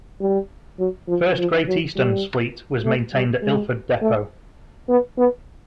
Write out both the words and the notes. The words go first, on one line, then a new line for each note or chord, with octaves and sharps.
First Great Eastern's fleet was maintained at Ilford depot.
G3
F#3
F3
F3
F#3
G3
A3
G3
G#3
A3
B3
B3